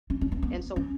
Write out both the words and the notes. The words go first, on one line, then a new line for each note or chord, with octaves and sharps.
And, so
C#4
C#4
B3
B3
C#4